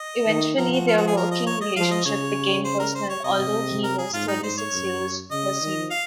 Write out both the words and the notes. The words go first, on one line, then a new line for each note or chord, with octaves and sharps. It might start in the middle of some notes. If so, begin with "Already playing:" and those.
Eventually their working relationship became personal although he was thirty-six years her senior.
Already playing: D#5
D#3
F3 A#4
F#4
F4
F#4
G#4
A#4
D#5
C#5
D#5
F3 F5
D#5
C#3 C#5
C5
A#4
C5
C#5
C3 D#5
A#4
G#4
G#2 F4
D#4
G#2 C5
C#5
F#2
C#3 D#5
D#3
F5